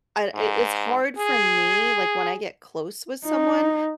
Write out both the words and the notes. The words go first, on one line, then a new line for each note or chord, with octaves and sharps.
I e it's hard for me, like, when I get close with someone
G#2
G#4
D#4